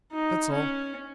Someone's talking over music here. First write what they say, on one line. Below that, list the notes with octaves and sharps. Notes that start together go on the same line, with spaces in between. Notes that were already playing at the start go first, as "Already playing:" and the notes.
That's all.'
D#4
C#4